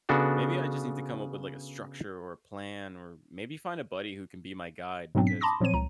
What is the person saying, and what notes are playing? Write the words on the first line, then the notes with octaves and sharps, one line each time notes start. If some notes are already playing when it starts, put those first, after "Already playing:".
maybe I just need to come up with, like, a structure, or a plan, or maybe find a buddy who can be my guide, because,
C#3 B3 D4 F#4 A4
G#2 B2 F#3 B3 C4 D4
B6
A5 B5 C6 D6 D#6 A#6
A#2 F3 F#3 C4 C#5 D#7
C#2 A#5